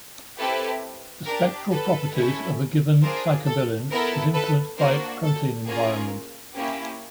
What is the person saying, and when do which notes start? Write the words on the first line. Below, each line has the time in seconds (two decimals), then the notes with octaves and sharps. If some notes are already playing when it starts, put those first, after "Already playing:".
The spectral properties of a given phycobilin is influenced by its protein environment.
0.38 C4 E4 G4 A4 B4
1.25 D4 G4 A#4
1.70 A4 B4
2.13 C#4 E4 A4
3.02 D4 F4 G#4 A#4 C5
3.46 A4
3.90 B3 E4 A4 A#4
4.33 A4 B4
4.77 A#3 D4 F#4 A#4 C5
5.23 A4
5.66 A#3 C#4 F4 G#4 A#4
6.54 A#3 C#4 E4 G4